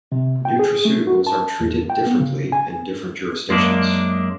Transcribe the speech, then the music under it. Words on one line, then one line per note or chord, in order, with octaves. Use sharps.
Nutraceuticals are treated differently in different jurisdictions.
C3
G5
G#4
A3
F#4
A5
E2
G5
B3
C#3
G#5
F#2 G#3 A#3 D4